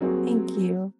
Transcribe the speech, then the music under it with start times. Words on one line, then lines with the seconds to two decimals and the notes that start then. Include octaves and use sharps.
thank you.
0.01 F#3 G3 A#3 C4 F#4 G#4